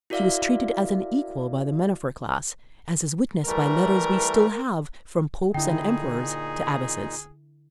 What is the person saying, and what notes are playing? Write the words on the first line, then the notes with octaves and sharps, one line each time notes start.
She was treated as an equal by the men of her class, as is witnessed by letters we still have from popes and emperors to abbesses.
E4 F#4 A#4 D5 E5 F5
E3 G3 A3 A#4
A#2 D3 D#4 E4 G#4 G5